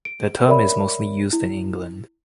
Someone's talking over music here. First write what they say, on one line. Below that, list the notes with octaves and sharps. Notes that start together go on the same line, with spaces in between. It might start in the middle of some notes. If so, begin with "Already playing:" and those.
The term is mostly used in England.
D7
A#4 C#5 D5 E5 B5
E4